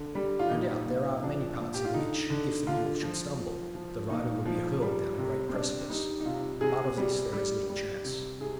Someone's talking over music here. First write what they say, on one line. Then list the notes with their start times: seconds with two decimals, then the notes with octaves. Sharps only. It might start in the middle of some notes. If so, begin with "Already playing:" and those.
No doubt there are many parts in which, if the mule should stumble, the rider would be hurled down a great precipice; but of this there is little chance.
Already playing: D3
0.15 G3
0.39 F4
0.51 A#2 D#4
0.87 A#2
1.23 F3 D4
1.59 A#2
1.74 G4
1.85 F4
1.94 D3 D#4
2.30 D3
2.67 D3 F4
3.03 F3
3.39 F3
3.75 F3
4.10 A#2 D#4
4.46 F3
4.82 G3
5.18 C3
5.49 C4
5.53 G3 D4
5.89 G3 D#4
6.20 D#4
6.25 C3 F4
6.61 C3 G#4
6.98 G3
7.33 G3
7.70 G3
8.05 C3
8.41 C3 G#4